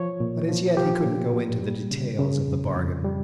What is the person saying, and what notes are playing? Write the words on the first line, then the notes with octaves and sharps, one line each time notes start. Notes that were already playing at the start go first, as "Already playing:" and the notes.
But as yet he couldn't go into the details of the bargain.
Already playing: F3 C#5
A#2
F3
F3 G4
A#2
A#2
G3
C#3
C#3
F2
F2
G3